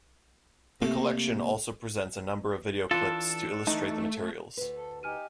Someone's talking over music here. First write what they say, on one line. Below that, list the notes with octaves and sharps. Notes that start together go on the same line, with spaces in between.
The collection also presents a number of videoclips to illustrate the materials.
C3 A3 A#3 A4
E3 D4 F4 A4
E3 A3 D#4
D2 B4
A4
D#4 G4 G#5 F6 D#7